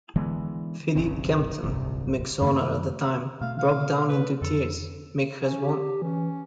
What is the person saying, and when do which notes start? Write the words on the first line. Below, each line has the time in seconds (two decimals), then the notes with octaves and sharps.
Phiddy Kempton, Mick's owner at the time, broke down into tears, Mick has won!
0.16 D3 E3 G#3 B3
0.95 F#1 B1 C#3 C4
1.63 D1 G1 C2 C3
2.41 F#2 D#3 A3 A#3
3.41 B2 A3 F5
3.58 F5
4.09 B4
4.42 F2 A4
5.38 C#4
5.61 G4
6.02 E3 C#4